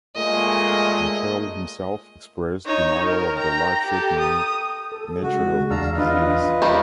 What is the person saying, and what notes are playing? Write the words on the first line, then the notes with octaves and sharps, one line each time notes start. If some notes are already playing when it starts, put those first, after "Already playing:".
Michel himself expressed denial of the life-shortening nature of his disease.
A#2 G#3 A3 D#5
D#4 C#5
A#4
G5 A#5
G4 A4
D#6
A4
C#3 G#3 F#4
E2 D4 F5 A5 A#5 E6
F4 B4 D#5
D#3 G3 C#4